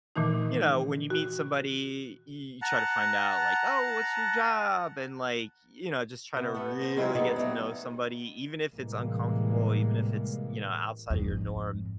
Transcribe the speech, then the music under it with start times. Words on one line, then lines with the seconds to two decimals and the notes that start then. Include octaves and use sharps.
you know, when you meet somebody, y you try to find out like, "Oh, what's your job?" And, like, you know, just try to really get to know somebody even if it's uncomfortable, even if it's, you know, outside of your norm.
0.16 A#2 D#3 E3 A3 D#4
1.10 F#4
2.62 F#5 A5 A#5
6.36 C3 B3
6.54 A3 B3
6.81 C5
6.97 C3 F#3 G#3 C4 E4 F4
7.15 D3 F#3 B3 D#4 G#4
7.36 F#3 G3 A3
8.73 A2 C3 E3 G3 G#3 A#3
11.10 F2 G#2